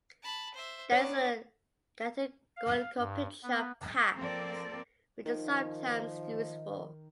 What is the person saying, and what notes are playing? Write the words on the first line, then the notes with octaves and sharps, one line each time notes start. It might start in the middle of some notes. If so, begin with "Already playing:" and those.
There is a categorical picture of paths which is sometimes useful.
A5 B5
C5 E5
B3 D4 C#5
F5
G2
B3
F3 A#3 C4 A4 A#4 D5
D#3 F3 D#5